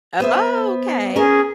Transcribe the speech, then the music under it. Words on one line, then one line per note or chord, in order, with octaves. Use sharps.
Oh, okay,
B3 C5 E5
C#4 G#4 A#4